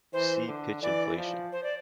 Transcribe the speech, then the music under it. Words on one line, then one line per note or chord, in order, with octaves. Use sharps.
See Pitch inflation.
E3 C5
D3
E3 D5
F3
C5
D5